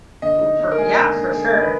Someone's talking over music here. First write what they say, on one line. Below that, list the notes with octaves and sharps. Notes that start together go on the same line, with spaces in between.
Ooh, for yeah, for sure.
D3 D#5
D#4
D#4
A#4
G#3 G#4
D3
D3
D3 G#4
G#3 A#4
B4